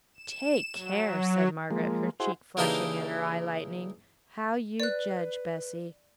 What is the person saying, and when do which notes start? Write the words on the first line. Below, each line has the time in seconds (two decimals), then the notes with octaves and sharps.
'Take care,' said Margaret, her cheek flushing, and her eye lightening, 'how you judge, Bessy.
0.14 E7
0.75 F#3
1.70 F3 G#3 A#3
2.20 E4 F#4 G#4 C5
2.57 C#3 E3 A#3 D4 D#4 G4
4.80 B4 D5 F#6